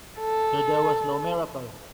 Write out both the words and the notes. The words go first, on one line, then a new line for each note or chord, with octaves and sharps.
So there was no miracle?
A4